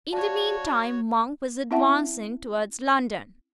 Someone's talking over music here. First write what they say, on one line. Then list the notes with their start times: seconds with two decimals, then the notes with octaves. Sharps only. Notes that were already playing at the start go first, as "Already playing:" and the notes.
In the mean time Monk was advancing towards London.
0.13 F#4 C#5 D5 F5 A5
1.71 C4 C#4 E4 E5 F#5 A5